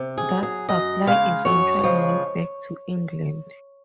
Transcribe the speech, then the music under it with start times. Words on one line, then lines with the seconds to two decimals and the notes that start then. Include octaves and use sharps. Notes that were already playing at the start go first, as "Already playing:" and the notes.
That supply eventually went back to England.
Already playing: C3
0.18 G#4
0.30 F#3
0.43 G#4
0.69 F#2 D#5
1.07 C#3 F3 G#3 F5
1.45 F#2 C#5
1.83 C#3 F3 G#3